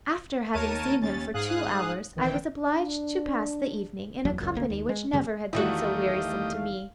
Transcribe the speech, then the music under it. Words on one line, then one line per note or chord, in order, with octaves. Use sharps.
After having seen him for two hours I was obliged to pass the evening in a company which never had been so wearisome to me.
D#2 A#4 C#5 A5 D#7
D#2 C#4 A6
G#2 G#4 F5 D#6 F#6
A#1 D#3 E3 C4 G5
D4
F#1 E2 F#3
G1 C#2 F#2
F#1 D2 A#3
D#2
G#3
F#2 C#3 G3 C#4
E2 D#3 A3 E4 F#4 G4 D#5 F5